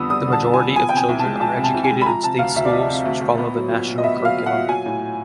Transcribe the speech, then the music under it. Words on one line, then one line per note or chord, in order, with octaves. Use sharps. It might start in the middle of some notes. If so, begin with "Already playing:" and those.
The majority of children are educated in state schools which follow the National Curriculum.
Already playing: F2 D3 G3 B3 D#6 E6
G3 D#6
D3
A5
F2
G#5
B3
F3 G#5
C3 G5
G#5
C2
A5
G#3
F3 A5
C3
A5
C2
G#5
G#3
B5
F3 A#5
C3 A5
D2 F5
D2 E5
D5
F3 D#5
C3
D2
D2
B3
F#3
A#2
A#2
D#5
B3 E5
F#3
F5
A#2
F#5
A#2
F#3 G#5
A2